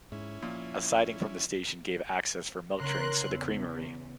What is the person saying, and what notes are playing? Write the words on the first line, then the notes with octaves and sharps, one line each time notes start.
A siding from the station gave access for milk trains to the creamery.
G#2 C#4 E4
A#2 F3
C#3 C#4 A#4 C6 F#6
E2 B5 E6